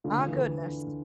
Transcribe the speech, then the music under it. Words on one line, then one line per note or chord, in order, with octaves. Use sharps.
Ah, goodness.
D3 F4
A3
E3
D3